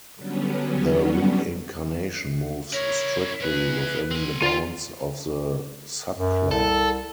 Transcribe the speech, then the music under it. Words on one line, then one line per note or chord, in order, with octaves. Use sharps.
The reincarnation moves strictly within the bounds of the subclan.
D3 F#3 G3 B3 C#4
E4 A#4 C#5
E2 G#4 B4
C4 G#5
F4 C6
F#2
C2 A4